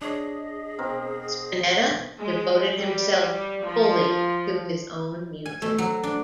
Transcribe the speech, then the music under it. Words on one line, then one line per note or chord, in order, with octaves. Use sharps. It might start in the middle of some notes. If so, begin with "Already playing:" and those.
Spinetta devoted himself fully to his own music.
D4 G#4 C#5 D#5
B2 C4 A#4
G#3
G3
F3
G#5
A3
F#3
D4